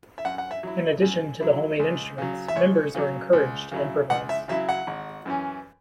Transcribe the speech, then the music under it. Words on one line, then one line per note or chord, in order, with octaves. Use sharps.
In addition to the homemade instruments, members are encouraged to improvise.
E5
F#2 F#5
F#5
E5
F#3 E4
F#2
F#3 E4
C#2
C#3 F#3
E5
C#2 C#5
C#3 F#3
C#2
C#3 F#3 E4
C#2 F#5
E5
C#3 F#3 E4 E5
F#5
G#1
F#2 E3 C#4